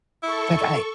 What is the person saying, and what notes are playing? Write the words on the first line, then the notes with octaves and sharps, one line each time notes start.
like I
E4 A4 C#6